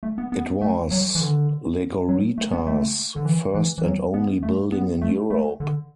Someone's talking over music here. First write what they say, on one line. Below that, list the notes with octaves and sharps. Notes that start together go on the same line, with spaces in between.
It was Legorreta's first and only building in Europe.
A3
B3
B3
A3
F#3
E3
D3
F#3
A3
B3
A3
D3
E3
E3
E3
F#3
B3
A3
B3
A3
A3
D3